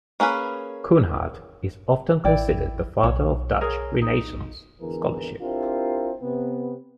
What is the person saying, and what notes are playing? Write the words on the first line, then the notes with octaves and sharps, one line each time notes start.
Coornhert is often considered the Father of Dutch Renaissance scholarship.
A#3 C#4 G#4 B4
A1 E4 D5 G5
B1 C#5
G#4 A#4 C#5
D#4
G#1 E2 D3 E3 A#4
C4 D4 E4 F4 G4 A#4
C3 B3